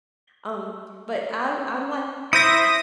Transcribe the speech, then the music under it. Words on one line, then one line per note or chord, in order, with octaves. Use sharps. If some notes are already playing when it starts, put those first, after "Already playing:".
Um, but I I'm like
E4 C5 E5 D#6 A#6